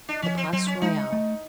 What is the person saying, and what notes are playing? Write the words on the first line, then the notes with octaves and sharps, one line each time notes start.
The Place Royale.
D4
F3 C#4
C4
F#3 C4
C#4
G#3 D#4
A3